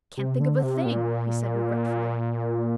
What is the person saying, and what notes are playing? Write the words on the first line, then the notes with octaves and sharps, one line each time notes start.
"I can't think of a thing," he said regretfully.
C3
D3
C3
A#2